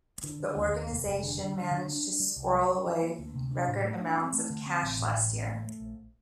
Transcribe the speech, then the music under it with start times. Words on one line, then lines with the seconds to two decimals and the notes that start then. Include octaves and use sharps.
The organisation managed to squirrel away record amounts of cash last year.
0.23 D3
0.40 D3
0.56 D#2
0.73 D#2
0.90 F1
1.06 F1
1.23 D3
1.39 D3
1.54 D3
1.71 D3
1.88 D4
2.04 D4
2.20 G3
2.36 C2
2.54 G3
2.69 G3
2.86 F3
3.02 A#3
3.19 D2
3.35 C3
3.51 D4
3.68 A2
3.84 A3
4.01 D4
4.17 C4
4.33 A3
4.50 D3
4.66 C4
4.83 A1
4.99 A2
5.16 A1
5.32 A2
5.48 A3
5.65 A3
5.80 A#1